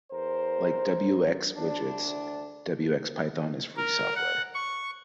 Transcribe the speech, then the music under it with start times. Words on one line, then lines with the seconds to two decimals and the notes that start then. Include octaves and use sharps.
Like wxWidgets, wxPython is free software.
0.11 E2 A#4 C5
1.57 D2 D4
3.77 A#4
4.15 F#5
4.54 C#6